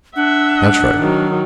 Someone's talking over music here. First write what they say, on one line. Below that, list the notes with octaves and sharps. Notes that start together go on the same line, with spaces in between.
That's right.
D4 E5 F#5
D#3 F#3